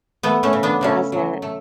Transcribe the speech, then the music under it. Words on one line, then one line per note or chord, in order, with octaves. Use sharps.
It doesn't.
A3 B3
A3 C#4
C#3
B3 D4
C#3 A3 C#4
F#3
A3